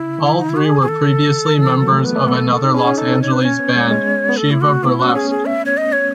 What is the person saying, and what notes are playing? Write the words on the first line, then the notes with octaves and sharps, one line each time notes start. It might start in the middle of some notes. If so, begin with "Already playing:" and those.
All three were previously members of another Los Angeles band, Shiva Burlesque.
Already playing: C#3 E4
D#3
D#4
E4
F#4
G#4
G#4
A4
E3
F#3
A3
A4
B3 B4
A3
B3 A4
A4
D#4
A4
C#4 G#4
C#4
D#4 A4
C#5
B4
C#4 C#5
B3
G#3
G#3
B3
A3 A4
E4
F#4
B3 E4
C#4 F#4
C#4 G#4
G#4
E5
C#5
D#5
C#5